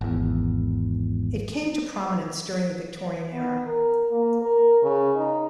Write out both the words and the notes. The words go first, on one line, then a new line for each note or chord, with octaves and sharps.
It came to prominence during the Victorian era.
G#1 E2
B3
A#4
A#3
A#4
C#3
D#4